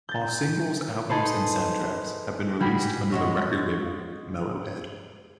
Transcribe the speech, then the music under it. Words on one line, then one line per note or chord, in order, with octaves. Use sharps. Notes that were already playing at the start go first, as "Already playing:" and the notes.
All singles, albums and soundtracks have been released under the record label Mellow Head.
G6 A6
D#4 G#4 A4 B4 C5
G3 F#4 G#4 B5
G#3 F#4 C#5